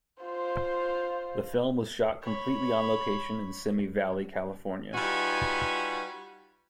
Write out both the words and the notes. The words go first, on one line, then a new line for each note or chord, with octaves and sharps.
The film was shot completely on location in Simi Valley, California.
F4 C5
C#5 B5
G3 D#4 F4 F#4 B4 G#5